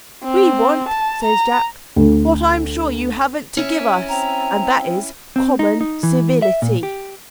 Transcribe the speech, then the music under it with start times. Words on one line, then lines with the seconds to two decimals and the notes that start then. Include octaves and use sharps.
"We want," says Jack, "what I'm sure you haven't to give us--and that is, common civility."
0.24 C4
0.89 A5
1.24 A#5
1.96 D2
3.57 C#4 E4
4.09 C4 A#5
5.36 C4
5.59 D#4
5.81 D#4
6.03 E3
6.42 E5
6.62 A#2
6.83 G4